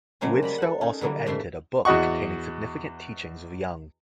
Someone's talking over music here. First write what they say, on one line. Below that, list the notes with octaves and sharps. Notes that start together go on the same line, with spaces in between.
Widtsoe also edited a book containing significant teachings of Young.
C#3 F3 F#3 G#3 A#3 C#4
G3 A#5 B5
A4 F#5
C#4 D#4
D3 E3 F#3 G3 A#3
G#2 C#3 A3 C#4 E5 C6
E2 F#4 D#5 F#5 C#6